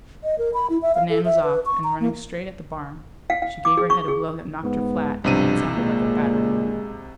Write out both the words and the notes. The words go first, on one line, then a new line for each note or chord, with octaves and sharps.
But Nan was off, and running straight at the barn, she gave her head a blow that knocked her flat, and sounded like a battering-ram.
D#5
A#4
B5
E4
E5
F5
A4
E5
B4
C#6
A#5
A#3
F5
F5
D6
G#4
C#6
G#4
G#2 B3
B1 G2 C3 F3 D#7
A#2 G#3